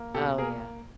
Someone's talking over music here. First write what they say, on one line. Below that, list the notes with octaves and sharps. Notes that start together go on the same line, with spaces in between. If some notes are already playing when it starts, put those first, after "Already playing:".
Oh, yeah.
Already playing: A#3
B2 G4 A4
A#3 G#4 A#4